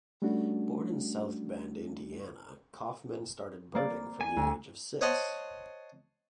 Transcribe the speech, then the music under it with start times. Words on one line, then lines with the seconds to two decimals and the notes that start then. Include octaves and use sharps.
Born in South Bend, Indiana, Kaufman started birding from the age of six.
0.22 G3 A3 C#4 D4 F#4
3.75 A#3 D5
4.21 G#5
4.36 D2
5.01 C5 C#5 D#5 F#5 A5 C6